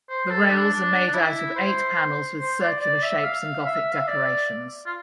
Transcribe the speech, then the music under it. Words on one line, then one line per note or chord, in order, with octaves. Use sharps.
The rails are made out of eight panels with circular shapes and Gothic decorations.
C5
A4
D4
D4
D4
E4
C5
C5
D5
D5
E5
F5
E5
F5
E5
D5
F4